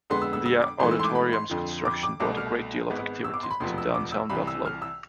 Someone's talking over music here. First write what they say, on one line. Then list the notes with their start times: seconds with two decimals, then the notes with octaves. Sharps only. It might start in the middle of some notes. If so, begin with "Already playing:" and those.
The Auditorium's construction brought a great deal of activity to downtown Buffalo.
0.10 F2 D3 G#3 B3 C6
0.22 E6
0.33 E6
0.46 E6
0.62 D6
0.80 G#1 G#2 E3 A3 C6
0.91 E6
0.99 C6
1.04 D6
1.15 B5
1.33 C6
1.50 F2 D3 F3
1.85 D6
2.03 D6
2.20 C2 B2 A3 D6
2.37 F6
2.90 G#1 G#2 G#3 B3
3.24 E6
3.34 D6
3.43 C6
3.51 B5
3.60 E1 D2 C3 F3 B3 C6
3.78 E6
3.95 D6
4.12 E6
4.30 C2 C3 E3 B5
4.47 E6
4.66 F6
4.82 E6